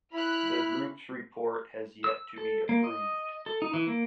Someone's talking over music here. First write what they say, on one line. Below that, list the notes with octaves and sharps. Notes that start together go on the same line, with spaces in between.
The Group's report has yet to be approved.
E4 B5 F6 F#6
E6
A4
A#3
D#5
A4
D#4
E3
A#3